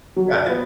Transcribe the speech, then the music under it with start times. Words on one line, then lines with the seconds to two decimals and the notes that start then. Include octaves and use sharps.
yeah, I think
0.16 F#3
0.50 B3